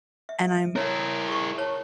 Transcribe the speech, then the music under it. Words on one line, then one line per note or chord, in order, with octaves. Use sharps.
and I'm
E5
E4 A#4 C#5 A5
G4 G#4 C#6
C#5 A5